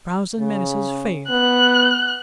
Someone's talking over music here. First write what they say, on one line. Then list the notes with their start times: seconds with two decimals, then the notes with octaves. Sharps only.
Frowns and menaces failed.
0.39 C#3
1.30 B3 F#6